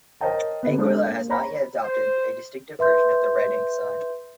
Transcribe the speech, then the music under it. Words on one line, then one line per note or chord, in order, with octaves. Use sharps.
Anguilla has not yet adopted a distinctive version of the Red Ensign.
A#4 C5 C#5 D#5 G5 A5
D3 B3
G#3 D4 A4 C5
A#3
C5 C#5 A#5 B5
C5
B4 E5 C6 G6